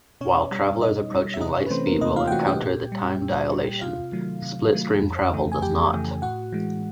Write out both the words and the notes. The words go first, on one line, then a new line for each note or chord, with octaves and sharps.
While travellers approaching light speed will encounter time dilation, slipstream travel does not.
B2 C#4 C#5
G3
B2 D#4 D#5
G3
E5
C3 D#4 D#5
C#4 C#5
B4
E3 A3 C4 C5
A#3 A#4
C3 D#4 D#5
F4 F5
G5
E3 A3 F#4 F#5
G4 G5
A#2
G3
A#2
G3
C3 F4 F5
D#3 F#3 A3
C3
D#3 F#3 A3
F2
C#3 E3 A3
G#5
F2 G4 G5
C#3 E3 A3
A2 F#4 F#5
E3 G#3